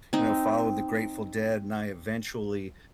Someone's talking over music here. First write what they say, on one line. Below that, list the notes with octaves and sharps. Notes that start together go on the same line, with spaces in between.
you know, follow the Grateful Dead, and I eventually,
C4 D#4